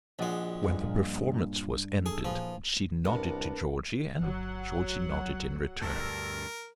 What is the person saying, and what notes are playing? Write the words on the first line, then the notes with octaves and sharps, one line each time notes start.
When the performance was ended she nodded to Georgie, and Georgie nodded in return.
A#1 G#3 F#4 D5 D#5
G2 D3 E3
A#2
G#4 A4
A#2 E3 F3 G#4
C2 B3 D4 A#4
G1 F#3 F#5
D2 G2 A#4 A5 E6